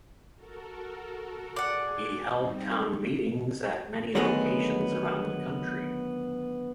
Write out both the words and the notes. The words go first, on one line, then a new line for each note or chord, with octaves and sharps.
He held "town meetings" at many locations around the country.
F#4 A4 A#4
G#4 D5 F#5
G3 C4 D#4
D3 D#3 F#3 G#3 A3 B3